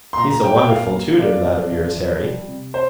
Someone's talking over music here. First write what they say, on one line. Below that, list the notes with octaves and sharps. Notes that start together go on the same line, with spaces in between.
"He's a wonderful tutor, that of yours, Harry!"
C6
A#2 A#5
A#5
A#2 G5
G5
A#3 F5
A#3
F4 D5
F2
F3
F3
G3
C3
C5